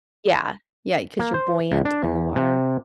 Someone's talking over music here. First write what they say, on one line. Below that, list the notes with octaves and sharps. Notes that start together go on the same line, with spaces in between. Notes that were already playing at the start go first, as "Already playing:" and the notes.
Yeah, yeah, 'cause you're buoyant in the water.
A#3
C5
C#2
D4
E2
C3